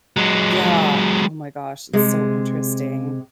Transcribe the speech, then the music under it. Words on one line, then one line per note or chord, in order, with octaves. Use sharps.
Yeah. Oh my gosh. It's so interesting.
F#3 G#3
C3 G#3